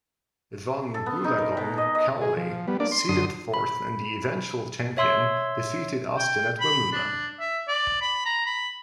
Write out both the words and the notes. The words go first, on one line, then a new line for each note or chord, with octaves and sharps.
Evonne Goolagong Cawley, seeded fourth and the eventual champion, defeated Austin at Wimbledon.
A4
B3
D#4
A#4
B2
D#5
D#5
G#4
F3
G3 B3
A#3 D4 D5
C6
F#2 D3 C6 D#6
B5
C#5 E5 C6 E6 G#6
G5
B5
D4
E5
D5
B5
A#5
B5